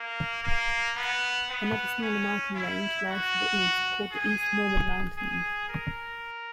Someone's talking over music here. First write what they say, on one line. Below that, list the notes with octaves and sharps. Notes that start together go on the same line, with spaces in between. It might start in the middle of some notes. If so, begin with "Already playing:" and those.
Another smaller mountain range lies to the east, called the East Mormon Mountains.
Already playing: A#3
A#3
B3
B3
C#4
E4
F#4
G#4
G#4
A#4